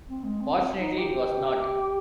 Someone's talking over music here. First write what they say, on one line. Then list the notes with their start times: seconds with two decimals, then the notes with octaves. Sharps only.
Fortunately, it was not.
0.09 C4
0.24 G#3
0.41 C4
0.77 D#4
0.98 G4